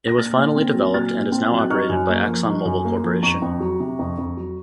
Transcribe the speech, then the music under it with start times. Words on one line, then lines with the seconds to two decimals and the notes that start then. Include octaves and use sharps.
It was finally developed and is now operated by Exxon Mobil Corporation.
0.07 A#6
0.18 A#2 F6 A6
0.38 A#2
0.56 C4
0.75 F#3
0.94 A#2 F6 A6
1.13 A#2
1.32 C4
1.52 F#3
1.58 F#6
1.70 D#4 C#6 F6
1.89 F#2
2.09 A#3
2.27 F3
2.46 D#4
2.65 F#2
2.85 A#3
3.04 F3
3.23 F2 A#5 C#6
3.42 F2
3.60 F#3
3.80 C3
3.99 F2
4.18 F2
4.37 F#3